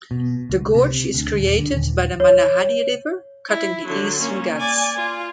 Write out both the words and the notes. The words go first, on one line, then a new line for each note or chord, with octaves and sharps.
The gorge is created by the Mahanadi river cutting the eastern Ghats.
B2
C#2
C3
D2
D#1
D3
D#1
C#5
E4
D3 F#3
A#3 C#4
D5 G#5
F4